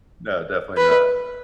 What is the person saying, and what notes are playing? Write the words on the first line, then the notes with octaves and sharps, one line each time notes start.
no, definitely not,
B4